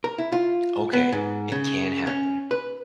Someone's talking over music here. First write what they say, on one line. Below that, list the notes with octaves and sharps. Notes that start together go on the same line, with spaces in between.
Okay. It can happen.
A#4
E4
F4
B3
G#2
C#3
C#4
B4